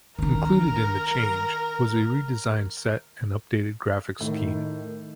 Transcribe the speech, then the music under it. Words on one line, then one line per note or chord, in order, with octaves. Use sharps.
Included in the change was a redesigned set and updated graphics scheme.
D#3 D4 A#4
A2 D#3